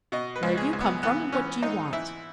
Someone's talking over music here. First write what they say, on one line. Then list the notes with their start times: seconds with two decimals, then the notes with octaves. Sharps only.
Where do you come from, and what do you want?'
0.12 B2 D#5
0.36 B4
0.43 C#2
0.57 G#4
0.73 C#2
0.81 B3
1.03 E3 B3
1.32 E3 C#4
1.63 G#2 D#4
1.93 E3 E4